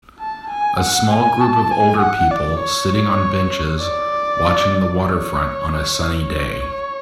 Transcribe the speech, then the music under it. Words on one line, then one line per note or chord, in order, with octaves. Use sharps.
A small group of older people sitting on benches watching the waterfront on a sunny day.
A5
G#5
F#5
G#5
A5
G#5
F#5
D5
C#5
D5
C#5
C#5